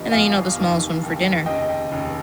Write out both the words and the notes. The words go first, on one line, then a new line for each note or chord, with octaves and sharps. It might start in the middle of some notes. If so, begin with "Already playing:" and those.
and then, you know, the smallest one for dinner,
Already playing: G1 G2 F3 D#5
G1 G2 F3 F5 G#5
F1 D#2 D#3
F1 D#2 D#3
F1 D#2 C#3 D#5 G5
F1 D#2 C#3